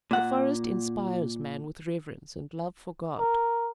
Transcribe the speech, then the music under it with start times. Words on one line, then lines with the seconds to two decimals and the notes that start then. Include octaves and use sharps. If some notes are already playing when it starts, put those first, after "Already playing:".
The forest inspires man with reverence and love for God.
0.11 A#2 F#5
3.19 A#4